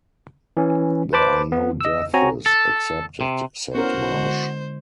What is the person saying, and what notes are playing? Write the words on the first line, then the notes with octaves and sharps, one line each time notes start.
"There are no deaths expected," said Marsh.
E3 C#4
B4 C5 A5 B5 D6
B3
D#5 E6
C4 F#4 C#5 G#5 A#5
A4
C3
B3 C#4 E4 F#4 A#4 C5
D3 G#3 D#5